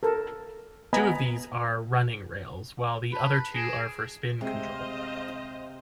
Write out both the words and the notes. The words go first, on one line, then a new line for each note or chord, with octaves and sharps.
Two of these are running rails while the other two are for spin control.
A4 A#4
B3 D#5 G#5 A#5 B5
B4 A5 B5
G#4 A#6 D7 E7
C3 G#3 C5 D#5 F5